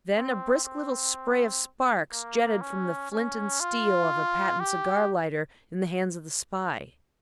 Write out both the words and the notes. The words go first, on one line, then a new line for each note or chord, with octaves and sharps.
Then a brisk little spray of sparks jetted from the flint and steel of a patent cigar-lighter in the hands of the spy.
C4
C4
A#3
C#4
C#4
F4
G4